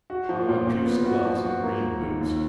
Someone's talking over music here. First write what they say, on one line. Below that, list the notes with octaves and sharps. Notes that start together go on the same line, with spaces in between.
I want puce gloves and green boots.
F#4
F3
A#2
A#2
B3
F#4
F3
F#4
A#3
D#2
D#3
D#2